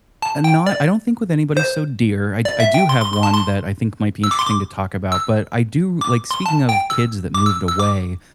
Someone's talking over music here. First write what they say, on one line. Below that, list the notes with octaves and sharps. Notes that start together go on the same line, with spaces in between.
Eh, not I don't think with anybody so dear, I d I do have one that I think might be interesting to talk about, but I do like, speaking of kids that moved away,
A5
G5
D5
C5
D5
E5
G5
C6
C6
C6
A5
C6
E6
D6
C6
D6
E6
D6
C6
A5
G5
E6
D6
E6
E6
D6